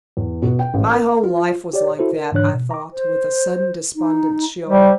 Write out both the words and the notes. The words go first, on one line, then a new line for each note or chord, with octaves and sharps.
My whole life was like that, I thought, with a sudden despondent chill.
E2
B2
G5
A1
A#4
F4
G4 C#5 D5
E4 F#4 A4 C5
A#4
G#2 D3 E3 D4 C#5 F#6
B2
A#5 D6
C5
D#4
G3 C5